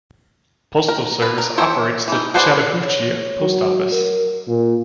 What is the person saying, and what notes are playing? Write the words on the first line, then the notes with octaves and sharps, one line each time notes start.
Postal Service operates the Chattahoochee Post Office.
A#4
B4
A#4
A4 C5 C#5 E5
E3 D#4
G#4 B4 C5 D5 F#5
C#5
F#3
A#4
A#2